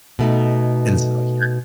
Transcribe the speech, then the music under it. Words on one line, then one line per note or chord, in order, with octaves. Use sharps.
and so he
B2 A3 D#4